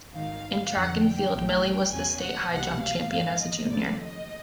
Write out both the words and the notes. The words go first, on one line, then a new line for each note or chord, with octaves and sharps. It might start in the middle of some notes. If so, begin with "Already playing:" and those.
In track and field, Mili was the state high jump champion as a junior.
G#1 G#2 D#3 F5
F2 D3 F3 F#5
G5
A#1 A2 E3
G5
E2 C#3 F#3 G#5
F#5
C2 B2 G3 A#3 F#5
F5
G#2 F3 A#3 F5
D#5
D#2 C#3 F3 A3 D5
D#5